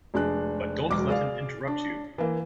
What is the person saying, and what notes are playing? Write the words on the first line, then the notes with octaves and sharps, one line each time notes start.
But don't let him interrupt you.
F1 G#3 D4 F#6
E1 F#3 D6
G#4 D5 F5
D4
E3 A#3